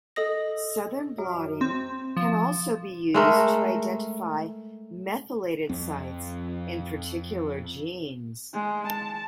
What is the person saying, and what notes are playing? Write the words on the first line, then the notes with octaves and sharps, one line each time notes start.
Southern blotting can also be used to identify methylated sites in particular genes.
A4 D#5 D#6 A#6
F#2
C4
F3
G#3 A3 A#4
F2 C4
G#3
A5